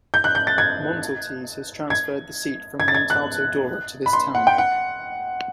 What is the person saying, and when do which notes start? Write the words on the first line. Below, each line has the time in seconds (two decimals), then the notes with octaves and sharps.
Montaltese has transferred the seat from Montalto Dora to this town.
0.14 G6
0.24 F#6
0.35 G6
0.47 A6
0.58 G#6
1.90 G#6
2.80 G#6
2.88 A6
2.94 G#6
3.10 F#6
4.06 B5
4.13 C6
4.35 F#5
4.47 G5
4.58 F#5